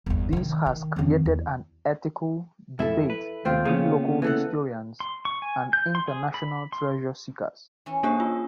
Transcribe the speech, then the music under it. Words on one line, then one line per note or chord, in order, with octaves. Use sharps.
This has created an ethical debate between local historians and international treasure seekers.
G1 E2
D3 D#3
D#3
F2 D#3
E2
F2 E4 A4 E5
B4
D#2 C4 F4 G5
C#3 A#3 B3 C#4
E3 A4 F#5
C6
C#6
G#5
G6
C6
G#4
B5
C6
E3 C#4
A#3 D4 G4 C#5 D#5
F4